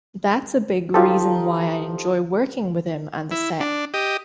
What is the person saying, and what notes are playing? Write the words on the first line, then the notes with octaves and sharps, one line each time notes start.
That's a big reason why I enjoy working with him on the set.
F3 D#4 F4 G4 A4
E4
D4
G4 D#5